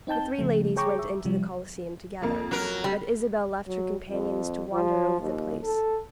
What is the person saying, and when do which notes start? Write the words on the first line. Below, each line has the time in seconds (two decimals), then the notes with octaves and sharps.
The three ladies went into the Coliseum together, but Isabel left her companions to wander over the place.
0.07 C4 D#4 G5 A5 G6
0.39 C#3 F3 A3
0.76 G#4 C#5 G5 A#5 C#6 D6
0.99 E5
1.25 C3 F3 G3
2.22 F2 A#3
2.51 F#3 A#4
2.84 G3
3.67 F#3
4.11 F2
4.73 F3
5.21 D#2
5.64 A4